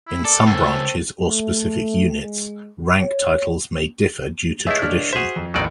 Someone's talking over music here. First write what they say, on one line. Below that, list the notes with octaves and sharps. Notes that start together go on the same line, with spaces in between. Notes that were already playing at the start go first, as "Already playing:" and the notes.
In some branches or specific units, rank titles may differ due to tradition.
E4
A4 A#4 D5
C#2 A3 C4 A4
A3
G#3
C#5
C#2 A3 E4 G#4 D#5 E5
D4 F6
F#4 G#4 C5 E5
F2
A1 D#2 F#3 D#4 D5